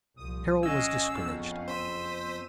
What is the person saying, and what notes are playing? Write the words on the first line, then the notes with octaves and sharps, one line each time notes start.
Carol was discouraged.
C2 A#2 F3 D#6
C#4 G#4 D#5 F5 F#5 E6
F#1 F2 C#3 B3
C5 E6 B6 D#7 E7